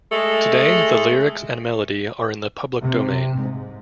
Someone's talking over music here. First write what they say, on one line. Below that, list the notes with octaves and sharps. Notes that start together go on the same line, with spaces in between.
Today, the lyrics and melody are in the public domain.
G#3 A3 G#4
C3
G#2